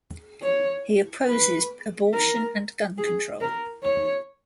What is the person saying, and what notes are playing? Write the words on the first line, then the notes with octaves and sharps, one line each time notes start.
He opposes abortion and gun control.
C#5
B4
A#4
G#4
A#4
C#5